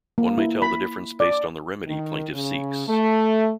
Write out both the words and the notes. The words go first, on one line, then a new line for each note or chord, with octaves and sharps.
One may tell the difference based on the remedy plaintiff seeks.
A#3
E4
B5
D5
D#3
C#3
A3